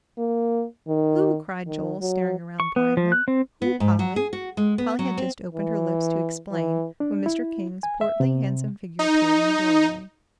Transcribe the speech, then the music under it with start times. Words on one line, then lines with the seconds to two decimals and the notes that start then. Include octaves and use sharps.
"Who?" cried Joel, staring around blindly, "who, Polly?" Polly had just opened her lips to explain, when Mr. King's portly, handsome figure appeared in the doorway.
0.18 A#3
0.88 D#3
1.67 D#3
2.01 F#3
2.60 C#6
2.76 B3
2.97 F3
3.12 F#6
3.28 C4
3.62 B3
3.80 G#2
3.99 F#3
4.16 G#4
4.33 F#4
4.57 G#3
4.78 B3
4.99 F#3
5.18 C4
5.54 E3
6.52 E3
7.00 D4
7.26 E4
7.83 G#5
8.01 E5
8.20 C3
8.99 D#4